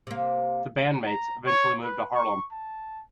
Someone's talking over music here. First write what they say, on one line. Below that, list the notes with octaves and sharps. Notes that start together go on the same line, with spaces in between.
The bandmates eventually moved to Harlem.
C3 A#3
A#5
C#5
B4
C#6
A5